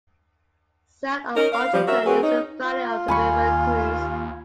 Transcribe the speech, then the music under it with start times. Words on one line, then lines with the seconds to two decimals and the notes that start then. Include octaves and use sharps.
South of Argenton is the valley of the River Creuse.
1.36 C#4 D#4 A#4
1.53 F5
1.73 F3 G3 C5
1.87 C#4 F#4 A#4 E5
2.06 F#3 C4 F#4 G#4 A#4 B4
2.23 C#4 D#4
2.64 F4
3.08 D#2 G#5 B5 C#6